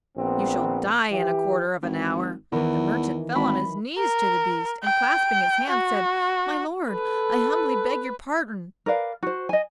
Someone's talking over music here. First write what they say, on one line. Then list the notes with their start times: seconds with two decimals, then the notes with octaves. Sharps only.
You shall die in a quarter of an hour." The merchant fell on his knees to the beast, and clasping his hands, said, "My lord, I humbly beg your pardon.
0.17 A#1 B3 C4
1.11 E3 G4
1.83 G#1
2.52 E2 D#3 E3
3.35 G#1 B5
3.98 A#4
4.83 G5
5.70 F#4
6.90 A4 B4
8.86 A#4 B4 D5 F5
9.23 F#4 C5
9.49 D#5 G#5